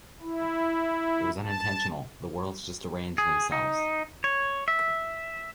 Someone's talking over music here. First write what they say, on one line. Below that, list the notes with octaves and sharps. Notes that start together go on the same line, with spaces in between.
It was unintentional — the words just arranged themselves.
E4
A5
G#4
D#4
C#5
E5